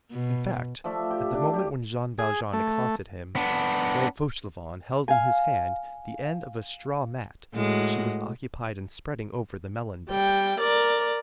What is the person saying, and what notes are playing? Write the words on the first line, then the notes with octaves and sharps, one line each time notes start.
In fact, at the moment when Jean Valjean accosted him, old Fauchelevent held in his hand the end of a straw mat which he was occupied in spreading over the melon bed.
B2
F3 A3 D5 E5
G4
D4
G4 D5
G#4
A3
B3 D4
F5 G#5
A2 G#3 F#4
G3 G5
A#4 D5